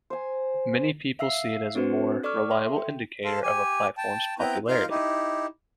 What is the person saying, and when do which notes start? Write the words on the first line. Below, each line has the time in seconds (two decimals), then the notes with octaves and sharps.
Many people see it as a more reliable indicator of a platform's popularity.
0.10 C5 G#5
1.19 E5 F5 E6 C7
1.75 C4 D4 F#4 B4 C5
2.23 A4 D5 C#6 D6 F6
2.51 A4 E5 C6
2.76 G5
3.24 A4 C5 F5
3.43 G4 G#5
3.97 G5 A5
4.39 B3 C4 E4 B4 A#5 G6
4.68 D#4 F4 A#4 F5 F6 G6
4.90 D#4 E4 G4